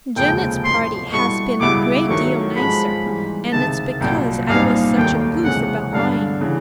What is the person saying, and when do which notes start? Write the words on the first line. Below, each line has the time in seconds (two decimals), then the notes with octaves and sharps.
Janet's party has been a great deal nicer, and it's because I was such a goose about mine.
0.16 F1 D#2 C#3 F3 G#3 G5
0.64 A1 A2 F3 C6
1.12 B2 G3 B3 E4 A4 C#6
1.60 C#2 B2 G3 B3 E4 D6
2.08 D#3 F#3 A3 C#6
2.56 G#2 F3 G#3 B5
3.05 G#2 E3 G3
3.52 C#2 C3 D#3 A5
4.00 C2 A#2 F#3 G5
4.48 C2 A#2 G3 C4 D#4 F5
4.97 F1 D#2 D#3 F#3 A3 G5
5.44 C#2 C3 E3 G#3 C#4 F#5
5.93 G2 D3 G3 B3 D4 F5
6.41 C#3 E3